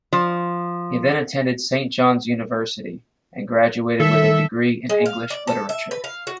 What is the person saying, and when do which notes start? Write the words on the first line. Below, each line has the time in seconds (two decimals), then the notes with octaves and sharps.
He then attended Saint John's University, and graduated with a degree in English literature.
0.13 F3
4.00 D#3 G3 A4 E5
4.89 G#3
5.06 F5
5.30 D5
5.47 A4
5.69 E5
5.91 B4
6.04 F5
6.27 F#4